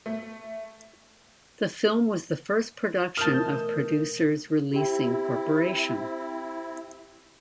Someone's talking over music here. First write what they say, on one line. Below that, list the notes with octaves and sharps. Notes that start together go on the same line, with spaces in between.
The film was the first production of Producers Releasing Corporation.
A3
B2 E3 A3 A#4 A5 D#6 F6 G6
C4 E4 G4 G5